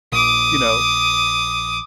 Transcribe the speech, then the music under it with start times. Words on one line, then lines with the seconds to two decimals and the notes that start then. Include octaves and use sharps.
you know,
0.12 A#1 D6 D#6